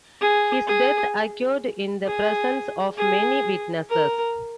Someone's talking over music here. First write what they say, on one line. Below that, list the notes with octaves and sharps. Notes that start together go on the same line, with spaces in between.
His death occurred in the presence of many witnesses.
G#4
G#4
G#4
G#4
A#4